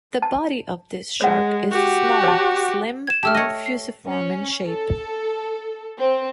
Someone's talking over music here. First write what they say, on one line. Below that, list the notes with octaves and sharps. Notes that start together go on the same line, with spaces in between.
The body of this shark is small, slim, and fusiform in shape.
A5
G#3 C#5 F#5
F#4 G4
C#5 A5
G#6 E7
A3 G4 A5 E6 F6
C#5 D#5 A#6
C7
C#4
A4
C4